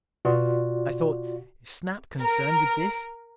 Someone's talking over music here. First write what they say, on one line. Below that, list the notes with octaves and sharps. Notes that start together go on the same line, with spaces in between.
I thought, "Is Snap concerned with this?"
B2 F4 F#4 D5
A#4